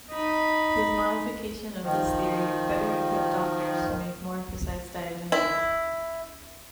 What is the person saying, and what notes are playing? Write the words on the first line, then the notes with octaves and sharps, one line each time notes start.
His modification of this theory better equipped doctors to make more precise diagnoses.
D#4 B5
D#3 F3
E4